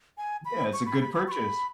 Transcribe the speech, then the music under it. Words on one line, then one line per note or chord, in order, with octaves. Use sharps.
Yeah, it's a good purchase.
G#5
B5
C#6
B5
B5
B5
C#6
B5